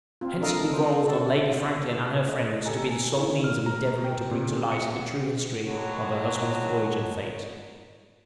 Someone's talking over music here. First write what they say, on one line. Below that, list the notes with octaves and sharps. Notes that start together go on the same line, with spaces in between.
Hence it devolved on Lady Franklin and her friends to be the sole means of endeavoring to bring to light the true history of her husband's voyage and fate.
C4 F4
D4 A4 A#4 D#5 F5
C5
F#4 A4
D#5 F#6
G4 A4 G#5 A#5
E4
F6
A#5
G5
A#2
C#7
F#5
D#2 G#2 B2 F#3